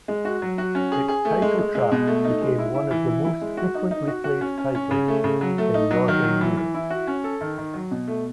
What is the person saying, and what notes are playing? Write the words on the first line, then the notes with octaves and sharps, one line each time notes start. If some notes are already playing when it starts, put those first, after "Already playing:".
Its title track became one of the most frequently played titles in Northern Europe.
G#3
F#4
F#3
F#4
C#4
G#4
G#4
A3
G#3
G#3
G#3
B2
A3
D#4
G#3
E4
E4
E3
E4
E4
G#3
F#4
D#4
D#4
F#4
F#4
C#4
C#4
C#4
C#3
A3
C#3
F#3
A3
D#4
F#3
D#3
F#3
E3
E3
E4
F#4
C#4
A4
D#3
D#3
F#3
B2
A3